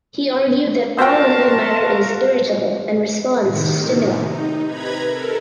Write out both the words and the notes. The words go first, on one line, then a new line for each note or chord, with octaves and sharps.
He argued that all living matter is "irritable" and responds to stimuli.
F4 F#4 A#4 C5 E5 G5 A5
A2 C3 D#3
D#4
C3 B4 A#5 B5 G#6
A4 A#4